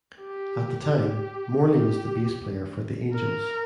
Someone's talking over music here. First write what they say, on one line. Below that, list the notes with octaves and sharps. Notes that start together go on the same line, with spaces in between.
At the time, Morley was the Bass Player for "The Angels".
G4
G4
G4
A#4